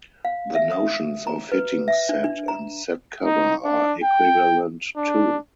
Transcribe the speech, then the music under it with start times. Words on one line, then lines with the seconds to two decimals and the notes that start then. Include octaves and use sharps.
The notions of hitting set and set cover are equivalent too.
0.25 F5
0.55 E5
0.72 D#6
1.27 A#5
1.52 B4
1.88 E5
2.09 D4
2.24 D4
2.48 A#5
3.25 D#4
3.65 D4
4.03 G5
4.97 D4